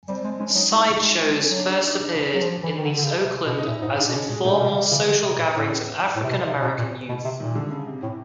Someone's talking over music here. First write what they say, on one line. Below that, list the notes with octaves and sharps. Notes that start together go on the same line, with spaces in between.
Sideshows first appeared in Oakland as informal social gatherings of African-American youth.
G3 C4
G#3 C4
G#3 C#4
F#3 D#4
G#3 D#4
E4
A3
D#4
G#3
G#3
C#4
F#3
D4
D4
D#4
D4
F#3
F3
E3
D#3
D3
D3
C#3
C3
B2
D#4
A#2 E4
G#2 D#4
A2
D4
B2
C#4
A#2 G#3
A#2 A3
C3
B2 G3
C#3
C3 G3
C#3 E3
D3
C3
A#2
A2
A2
C3
B2
C3
B2
A#2
B2
C3
A#2 D#3
D3
C#3
C3
A2